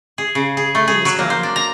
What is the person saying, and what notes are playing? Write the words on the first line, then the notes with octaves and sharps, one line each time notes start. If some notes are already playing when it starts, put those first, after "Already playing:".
He was gone.
G#4
C#3
G#4
A3
G#4
F#3
A#3
C5
D4
A#5